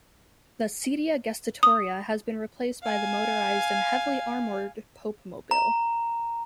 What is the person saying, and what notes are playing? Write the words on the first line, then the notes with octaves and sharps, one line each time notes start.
The "sedia gestatoria" has been replaced by the motorized and heavily armoured "Popemobile".
D#6
F5 G#5
A#5